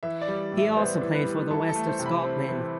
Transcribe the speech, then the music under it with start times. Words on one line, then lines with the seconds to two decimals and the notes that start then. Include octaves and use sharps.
He also played for West of Scotland.
0.03 E3 E5
0.21 D5
0.28 G3
0.52 A2
0.58 E5
0.77 B3 C5
1.01 E3
1.14 B4
1.25 G3
1.50 E3 A4
1.69 A4
1.75 A3
1.87 C5
1.99 C3
2.05 B5
2.23 C4
2.49 E3